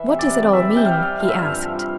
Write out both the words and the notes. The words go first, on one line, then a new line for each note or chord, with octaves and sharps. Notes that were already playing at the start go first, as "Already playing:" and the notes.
"What does it all mean?" he asked.
Already playing: E3 E5
C3
D5
C3
D5
E3 E5
C3 G5
F5
G3
F3 F5
E5
G2 F5
F3